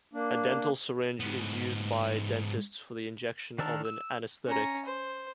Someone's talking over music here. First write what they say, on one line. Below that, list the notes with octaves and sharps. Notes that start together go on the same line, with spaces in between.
A dental syringe is a used by dentists for the injection of an anesthetic.
A#3 D4
G#2 B3
D#3 D4 A4 A#4
E6
C#4 A#5
C5